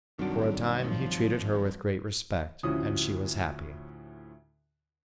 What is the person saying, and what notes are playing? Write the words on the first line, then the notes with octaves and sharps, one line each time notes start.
For a time he treated her with great respect, and she was happy.
B1 G2 D#3 F#3 G3 C4 D4 F#4
F3
D2 A2 F3 C#4 F#4 D#6